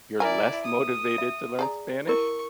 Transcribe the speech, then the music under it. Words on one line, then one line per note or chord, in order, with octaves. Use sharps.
you're less motivated to learn Spanish?
E4 A#4 D5 G#5
D#6
E5
G#4 D5 A#5
E4 A#4 C#6